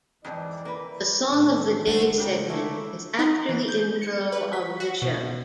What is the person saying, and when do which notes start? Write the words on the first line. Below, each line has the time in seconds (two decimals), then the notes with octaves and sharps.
The "Song of the Day" segment is after the intro of the show.
0.24 F2 G#2 E3 D5
0.65 A#3 B4
1.28 A2 D#3 A3
1.87 C#3 G#3 D#4 F#4 C5
2.18 F#3 D4 G4 A#4
2.49 A3 A#3 E4
3.19 D#4
3.49 E3
3.68 G6
4.02 C#7
4.32 B4
4.53 B6
4.80 F#4
5.02 B2